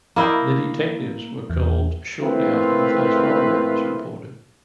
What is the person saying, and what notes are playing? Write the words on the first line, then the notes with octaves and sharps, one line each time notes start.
The detectives were called shortly after the first robbery was reported.
A#3 E4 D#5 G5
E2
A3 A#3 C4 E4 F4 B4